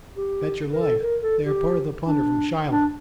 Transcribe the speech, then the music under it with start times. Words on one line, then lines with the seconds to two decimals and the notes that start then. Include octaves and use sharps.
Bet your life, they are a part of the plunder from Shiloh.
0.17 G4
0.73 A#4
0.81 A4
1.02 A#4
1.23 A4
1.44 G4
2.07 D4
2.71 D4